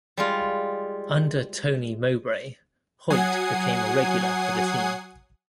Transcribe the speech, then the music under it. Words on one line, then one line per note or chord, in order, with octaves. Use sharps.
Under Tony Mowbray, Hoyte became a regular for the team.
G3 G#3 F4
F#3 F#5 G#5 D#6 G#6 C7